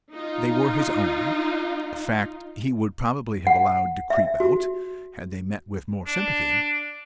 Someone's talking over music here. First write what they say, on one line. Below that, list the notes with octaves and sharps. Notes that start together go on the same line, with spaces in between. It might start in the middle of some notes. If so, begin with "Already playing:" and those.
They were his own, a fact he would probably have allowed to creep out, had they met with more sympathy.
D#4 F4
F#5
E5
F#4
D4